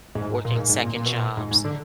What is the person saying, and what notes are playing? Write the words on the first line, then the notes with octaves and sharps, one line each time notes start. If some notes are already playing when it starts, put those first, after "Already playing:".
working second jobs,
G#2
A#2
G#2
G#2
A#2
A#2
B2
A#2
G#2
G#2
D3